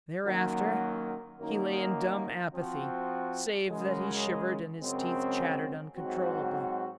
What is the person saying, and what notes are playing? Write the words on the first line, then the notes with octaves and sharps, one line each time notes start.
Thereafter he lay in dumb apathy, save that he shivered and his teeth chattered uncontrollably.
F#2 D#3 F#3 A#3
F#2 D#3 A#3 D#4
F3 C4 F#4
F#2 C#3 G#3
F#2 C#3 G#3 C4
G#2 F#3 C4 F#4